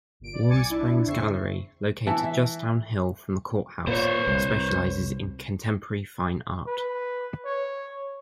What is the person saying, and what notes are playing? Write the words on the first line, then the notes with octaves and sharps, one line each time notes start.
Warm Springs Gallery, located just downhill from the courthouse, specializes in contemporary fine art.
G1 A#2 D7
D5
C2 G#5 D6 A6 C#7
D4 E4
E2 C#3 C4 E5 C#6 C7
E3 E5 F#5 A5
E5
A#2 A#3 C5 C#5
C2
B4
C#5